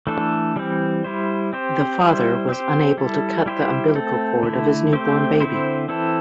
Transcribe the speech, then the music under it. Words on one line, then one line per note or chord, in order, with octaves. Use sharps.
The father was unable to cut the umbilical cord of his newborn baby.
E3 A3 D4 A4
E3 G3 C4
G3 E4 C5
C4 G4 C5
G3 E4 C5
C4 G4 C5
G3 E4 A4
G3 E4 G4 C5
A3 C4 A4
D3 A3 E4
A3 C4 G4 C5
D3 C4 E4 C5
E3 C4 E4 A4